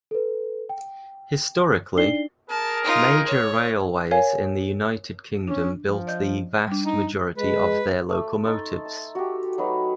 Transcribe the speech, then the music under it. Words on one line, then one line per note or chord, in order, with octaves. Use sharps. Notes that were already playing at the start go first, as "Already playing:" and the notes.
Historically, major railways in the United Kingdom built the vast majority of their locomotives.
A4 B4
G5
D4 D#4 D5 C7 G7
G#4 A#4 A5
D#4 F4
C#5
A#4 C#5 F5 G#5
C#4 D4
F3
D5 D#5 G6
G3 D4
D#4
G#3 B4
A3
D#4 A4 C6
A5
F#4 G4
F#3 A3 D#4 B4